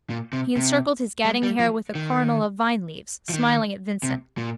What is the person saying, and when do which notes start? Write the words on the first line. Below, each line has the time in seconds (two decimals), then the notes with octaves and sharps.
He encircled his gadding hair with a coronal of vineleaves, smiling at Vincent.
0.10 A#2
0.33 C3
0.56 C3
1.25 G#3
1.43 G3
1.60 F3
1.95 D#3
3.29 F3
3.33 D#3
4.03 C3
4.37 A#2